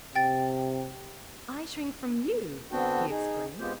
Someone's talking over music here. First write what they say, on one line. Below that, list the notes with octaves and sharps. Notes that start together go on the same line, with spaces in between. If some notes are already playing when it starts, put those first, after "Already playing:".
"I shrink from YOU!" he exclaimed.
C3 G5 A6
D3 B3 C4 D4 F#4 G5
D#4 G#4
G#3 B3 C4 F4 G4 C5